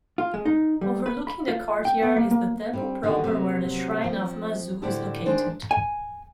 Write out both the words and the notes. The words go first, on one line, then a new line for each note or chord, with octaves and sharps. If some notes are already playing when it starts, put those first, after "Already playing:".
Overlooking the courtyard is the temple proper where the shrine of Mazu is located.
F4
G#3
D#4
G3
B4
B5
F4
G5
B3
A#3
A#3
G3 C4
D3 D#3 A#3 D4 F#4 G4
C3 F#3 A#3 B3
F3 C4
A2 D3 E4 G4 C5 D5
D#3 G#3 D4 C5
G#5